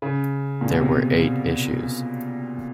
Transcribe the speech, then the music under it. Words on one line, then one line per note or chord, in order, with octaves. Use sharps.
There were eight issues.
C#3
A#2
B2
C3